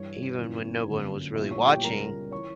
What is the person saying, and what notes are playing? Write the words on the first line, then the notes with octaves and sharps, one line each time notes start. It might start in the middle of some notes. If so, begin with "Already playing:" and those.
even when no one was really watching,
Already playing: G2 E3 G3 C#5
G1 F#2 E3 B3
G1 F#2 D3 A#3
A#1 A#2 G3 B3 E4 E5
C#5 C#6
G4 G5
C#2 C#3 G3 C#4 A#4 A#5
E3 C#5 C#6